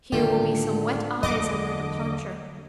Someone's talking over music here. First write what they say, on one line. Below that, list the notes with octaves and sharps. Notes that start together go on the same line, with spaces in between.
Here will be some wet eyes on your departure.
A2 D3 D#3 G#3 A3 F4 G4
E2 F#3 A#3 D#5 D6